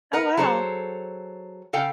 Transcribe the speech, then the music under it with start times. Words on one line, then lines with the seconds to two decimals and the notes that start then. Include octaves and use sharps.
Oh, wow.
0.13 A#4 B4 F#5
0.37 F#3 G#4 A4 C5 C#5
1.73 C#3 A4 F5 G5